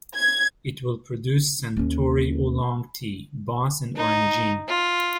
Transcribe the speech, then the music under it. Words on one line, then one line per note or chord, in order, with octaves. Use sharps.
It will produce Suntory Oolong Tea, Boss and Orangina.
G#6
D#2 C#4
D#4
F4